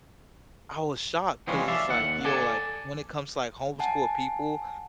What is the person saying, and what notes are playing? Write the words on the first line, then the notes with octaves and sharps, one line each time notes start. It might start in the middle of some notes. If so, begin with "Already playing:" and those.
I was shocked 'cause it's, like, yo, like, when it comes to, like, homeschool people,
E3 F3 G3 G#3 C#4
D5 E5 F5
D#2 F#5
A4 D5 G#5 A5
F#5 G#5 A5